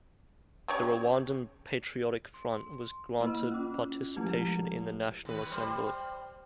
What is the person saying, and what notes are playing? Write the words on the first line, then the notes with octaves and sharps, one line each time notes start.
The Rwandan Patriotic Front was granted participation in the national assembly.
C#3 G4 C#5
C6
A#3 E4 D#5 E6
C#4 F4
F3 G#3 A3 E4 G4
D#2 B4
G3 C5